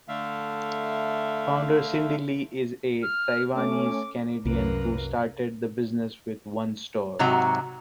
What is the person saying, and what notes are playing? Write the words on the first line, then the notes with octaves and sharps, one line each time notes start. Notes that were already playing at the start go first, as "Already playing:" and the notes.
Founder Cindy Lee is a Taiwanese-Canadian who started the business with one store.
D3 A3 E5 F5
F6
A3 C#4 D6
C2 F#2 A#3 B4
G#2 C3 F#3 F#4 A#5